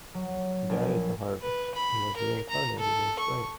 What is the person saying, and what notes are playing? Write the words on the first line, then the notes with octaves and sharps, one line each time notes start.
He died at the harvest and was reincarnated in the spring.
F#3
A#1
B4
B5
A#4
A#5
A4
C#6